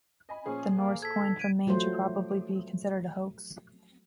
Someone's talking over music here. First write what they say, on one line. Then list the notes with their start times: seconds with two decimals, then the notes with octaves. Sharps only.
The Norse coin from Maine should probably be considered a hoax.
0.29 D#5 G#5 B5
0.46 A#2 F3 C#4 G#4
0.75 A#3
1.02 A4 G#6 B6
1.19 G1
1.39 G#6 D7 D#7
1.67 F3 F#3 A3 C5